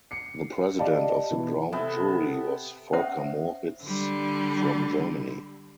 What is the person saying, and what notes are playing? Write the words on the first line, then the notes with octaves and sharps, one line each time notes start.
The president of the Ground Jury was Volker Moritz from Germany.
C7 C#7
G4 D5 D#5 F5 A5
B2 E3
C3 B3 A4
C#4 C5 C#5 E5 F#5 D#6
D3 G3